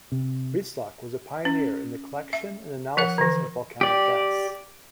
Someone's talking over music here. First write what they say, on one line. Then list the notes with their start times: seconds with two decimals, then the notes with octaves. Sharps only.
Breislak was a pioneer in the collection and analysis of volcanic gas.
0.12 C3
1.45 C#4
2.33 E5
2.97 F3 A#4 F#5
3.18 D3 E3
3.81 G4 D5